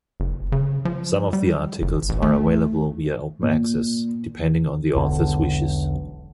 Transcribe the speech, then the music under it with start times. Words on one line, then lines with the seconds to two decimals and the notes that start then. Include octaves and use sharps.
Some of the articles are available via open access, depending on the author's wishes.
0.20 F#1
0.52 C#3
0.85 F3
1.33 G3
1.82 F#1
2.09 A1
2.22 A3
3.42 A#2
4.95 E1 B1 D3